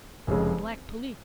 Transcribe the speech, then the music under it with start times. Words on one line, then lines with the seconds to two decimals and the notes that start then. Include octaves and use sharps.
The Black Police.
0.27 F1 F2 C#3 G#3